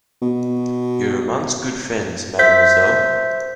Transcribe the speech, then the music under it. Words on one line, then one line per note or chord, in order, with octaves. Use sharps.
You are amongst good friends, mademoiselle.
B2
C5 E5 G6 B6